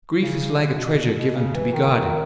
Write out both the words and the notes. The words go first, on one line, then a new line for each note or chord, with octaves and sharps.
Grief is like a treasure given to be guarded.
C#3
B2
B2
C#3
E3
D#3
D#3